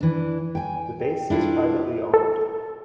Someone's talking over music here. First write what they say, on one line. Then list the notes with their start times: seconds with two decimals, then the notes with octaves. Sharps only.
The base is privately owned.
0.01 E3 D4
0.55 G5 G#5
1.30 D4 E4 F4 A4
2.14 A4